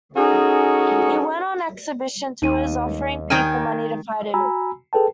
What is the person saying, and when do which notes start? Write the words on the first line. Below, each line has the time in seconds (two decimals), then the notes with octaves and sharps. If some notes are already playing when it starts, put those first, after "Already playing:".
He went on exhibition tours offering people money to fight him.
0.16 C#4 D#4 F#4 G#4 A4
2.42 D#2 D#4 D#7
3.30 D#3 G5 G#5 F6 G#6
4.34 F#4 G#5 A#5 B5 E6
4.93 G#4 A4 B4 G5 A5